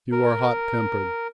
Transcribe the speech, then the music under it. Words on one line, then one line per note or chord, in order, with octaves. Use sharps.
"You are hot-tempered."
A#4